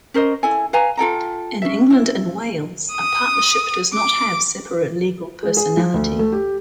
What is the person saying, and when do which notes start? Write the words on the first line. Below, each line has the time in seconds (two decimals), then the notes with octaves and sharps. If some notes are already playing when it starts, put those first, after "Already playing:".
In England and Wales, a partnership does not have separate legal personality.
0.14 C#4 A#4 C5 D#5
0.43 E4 A4 G#5
0.73 B4 F5 G#5 A#5
0.97 F4 A4 G5 A#5
1.62 C#4 E5
1.90 E4
2.91 D#6
3.94 D6
5.43 G#3
5.57 G#4
5.77 F3
5.94 D2
6.19 A3
6.32 G4